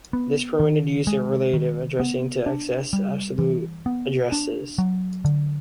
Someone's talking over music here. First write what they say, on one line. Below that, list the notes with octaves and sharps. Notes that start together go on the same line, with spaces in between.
This permitted use of relative addressing to access absolute addresses.
B3
D#3
G#3
D#3
B3
D4
G3
E3
B3
D4
F#3
D3